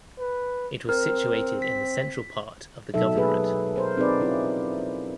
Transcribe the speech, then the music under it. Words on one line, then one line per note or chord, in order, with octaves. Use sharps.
It was situated in the central part of the governorate.
B4
C4 A#4
B6
B2 F#3 D#4 A4 E5
A#3 G#4 B4
A#4 C5
C4 D#4 G#4 B4 D5
C#4 E4 F4